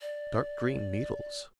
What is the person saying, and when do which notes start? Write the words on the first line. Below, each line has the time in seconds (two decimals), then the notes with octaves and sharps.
Dark-green needles!
0.01 D5